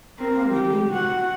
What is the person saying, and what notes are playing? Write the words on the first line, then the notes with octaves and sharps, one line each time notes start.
"How do you mean?"
C4 A#4
G4
F#4 F#5